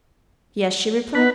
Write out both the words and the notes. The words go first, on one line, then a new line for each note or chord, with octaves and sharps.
"Yes," she replied.
B3 B4